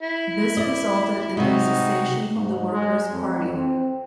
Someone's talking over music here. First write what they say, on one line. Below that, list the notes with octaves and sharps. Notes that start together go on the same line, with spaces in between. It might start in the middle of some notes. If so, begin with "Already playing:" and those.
This resulted in their secession from the Workers Party.
E4
D5 D#5
C3 G#3 D#4 F#4
G#2
G#3
F2
C4